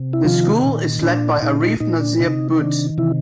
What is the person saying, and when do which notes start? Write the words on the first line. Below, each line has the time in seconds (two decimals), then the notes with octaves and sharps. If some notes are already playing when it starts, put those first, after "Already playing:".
The school is led by Arif Nazir Butt.
Already playing: C3
0.13 E4
0.24 D#3 F3 F4
0.63 A#2
1.03 A#2 D4
1.43 A#2 D#4
1.61 D#4
1.80 A#2 D#4
2.00 D4
2.20 C3 D#4
2.59 D#3 D4
2.98 C3 E3 E4